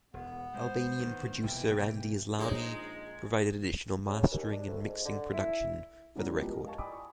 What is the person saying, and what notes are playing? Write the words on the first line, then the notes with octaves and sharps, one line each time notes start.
Albanian producer Andi Islami provided additional mastering and mixing production for the record.
E1 B3
G#3 C5
D2 D#3
F1 B2 E3 A#3 G5
A#1 G#3 D#4 G#4 C5 C#5 D#5
C#3
D#2
D4
D2
G#2
D3
E4
C#3 E3 G3 B3 C#5 A#5
F3 G#3 G4 G#4
A#4
D#5 F5 G#5 A5 C#6
D5 G5 G#5 B5 D6 D#6
C#6